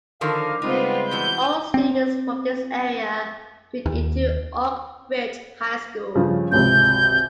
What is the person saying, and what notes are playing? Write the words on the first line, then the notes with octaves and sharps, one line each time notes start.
All students from this area feed into Oak Ridge High School.
D3 D#3 F3 A#4 F5
C#3 G3 G#3 B3 C4 D#4 F4
E2 B2 E3 G6
C4
D#2
G2 C#3 F3
G#1 C#2 C3 G6